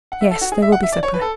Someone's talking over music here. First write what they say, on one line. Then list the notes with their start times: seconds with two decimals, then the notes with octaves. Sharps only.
"Yes, there will be supper."
0.12 F#5
0.21 E5
0.31 A4
0.41 F#4
0.52 G#4
0.62 E5
0.72 F#5
0.83 E5
0.92 D5
1.03 C#5
1.14 B4
1.21 A4